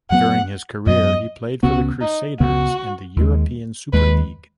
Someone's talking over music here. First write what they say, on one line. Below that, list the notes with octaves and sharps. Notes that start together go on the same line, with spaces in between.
During his career, he played for the Crusaders in the European Super League.
F#2 F#3 B3 F#5
F#2 F#3 B3 D#5
C#2 C#3 B3 F#4
D#4
C#2 C#3 B3 F#4
D#2 D#3 G#3
D#2 D#3 G#3 B4